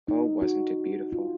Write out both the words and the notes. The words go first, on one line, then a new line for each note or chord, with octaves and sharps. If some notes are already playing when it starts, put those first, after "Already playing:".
Oh, wasn’t it beautiful?
D#4
F#4
F4